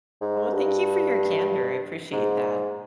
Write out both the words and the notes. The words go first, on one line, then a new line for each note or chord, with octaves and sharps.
Well, thank you for your candor, appreciate that.
G#2
G2
G#2